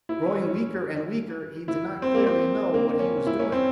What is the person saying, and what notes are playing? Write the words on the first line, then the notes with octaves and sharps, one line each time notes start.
Growing weaker and weaker, he did not clearly know what he was doing.
E4
C#4
C#4
E4
C4
A#3
C4
A#3
C#4
E4
C#4
C4